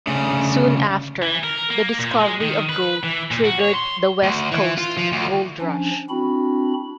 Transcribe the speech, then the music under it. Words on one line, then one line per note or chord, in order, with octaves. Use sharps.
Soon after, the discovery of gold triggered the West Coast Gold Rush.
D2 C#3
E3
A#4
A#3
A#2
G#3
D#3
B4
E3
A#2
F#4
C#5
C6
D2
E3
F4
F3
D2
F3 C#4 D4
C4 D4 E4 F#4 B5